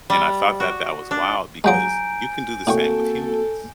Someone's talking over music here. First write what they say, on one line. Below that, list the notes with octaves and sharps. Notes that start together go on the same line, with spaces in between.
and I thought that that was wild, because you can do the same with humans,
G3
F#4
D4
F3 F#3 G#3 G#5 A#5 G6 D7
A2 A#3 C4 F#4 A4 G5 C#6